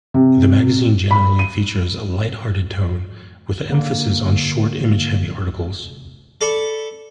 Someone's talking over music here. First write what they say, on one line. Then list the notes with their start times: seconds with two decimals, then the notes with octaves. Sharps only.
The magazine generally features a light-hearted tone, with an emphasis on short, image-heavy articles.
0.14 C3
1.11 B5
1.39 D#7
3.69 D3 A#3
6.41 A4 D5 B5 C#6